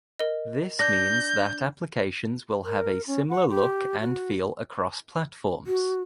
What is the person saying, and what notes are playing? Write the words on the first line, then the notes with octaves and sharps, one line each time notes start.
This means that applications will have a similar look and feel across platforms.
A#4 D#5
D4 G6 A#6
A#4
C#4
F#5
G4
F#4
F#4